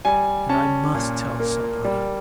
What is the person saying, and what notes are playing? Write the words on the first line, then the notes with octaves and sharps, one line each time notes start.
And I MUST tell somebody!
G3 G#5
C#4 A5
A#2
A#3
G3